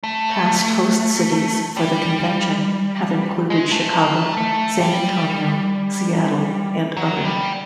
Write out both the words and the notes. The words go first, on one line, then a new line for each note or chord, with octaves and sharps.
Past host cities for the convention have included Chicago, San Antonio, Seattle, and other.
A3
G3
G#3
A3
A#3
A3
A3
G3
F#3
G3